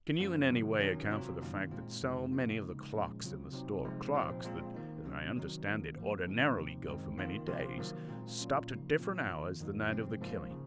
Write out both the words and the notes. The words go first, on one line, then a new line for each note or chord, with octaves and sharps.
Can you, in any way, account for the fact that so many of the clocks in the store--clocks that, as I understand it, ordinarily go for many days--stopped at different hours the night of the killing?
F#2 F3 A#3 C#4 F4
C3 D#3 F#3
D#3 F#3 C#4
C3 F#3 C4 F4
F#2 D#3 A#3 D#4
A#2 G#3 C4 F4
F2 C#3 G#3 D#4
C3 F3 A#3 F4
C#3 G#3 D#4
A#2 F3 G#3 C#4
C#3 F#3 C4 F4
C3 F#3 C4 D#4
C3 F3 G#3 D#4
A#2 F3 C4
A#2 G#3 C4 F4
D#3 A#3 D#4
C3 F#3 C#4
D#3 F#3 C4 D#4
D#3 A#3 C#4
G#2 F3 A#3
G#2 D#3 G#3 C4
C3 F3 C4 D#4
F#2 D#3 G#3 C4 D#4
D#3 A#3 F4
C3 F3 C4 F4
D#3 F#3 A#3
A#2 G#3 C4 F4
A#2 F#3 C#4 F4
C#3 F3 A#3 D#4
A#2 F3 C4 F4
D#3 A#3 F4
F2 D#3 F#3 A#3 D#4
C3 F3 G#3 C4
G#2 F3 A#3 F4
C#3